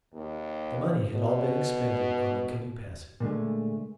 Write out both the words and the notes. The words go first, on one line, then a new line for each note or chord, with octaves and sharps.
The money had all been expended on the canoe passage.
D#2
B2
A#2 D3 G#3 A3